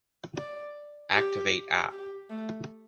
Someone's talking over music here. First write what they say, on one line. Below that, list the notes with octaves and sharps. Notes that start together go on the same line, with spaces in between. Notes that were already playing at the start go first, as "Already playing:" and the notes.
Activate app.
D5
G4
G4
A3